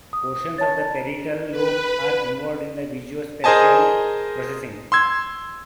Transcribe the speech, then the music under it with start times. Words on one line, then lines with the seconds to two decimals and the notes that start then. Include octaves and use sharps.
Portions of the parietal lobe are involved with visuospatial processing.
0.13 D#6
0.58 C#5 A5 A6
1.50 B4
3.44 G#4 A#4 C5 D#5 G#5 A5
4.92 C6 E6 G#6